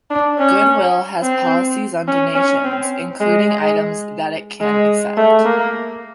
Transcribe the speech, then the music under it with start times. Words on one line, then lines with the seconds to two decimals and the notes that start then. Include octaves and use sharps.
Goodwill has policies on donations, including items that it can accept.
0.10 D4
0.39 C#4
1.23 C4
2.07 C#4
2.35 C#4
2.64 C4
3.20 G#3
3.48 G#3
4.61 G#3
5.17 A3
5.45 A#3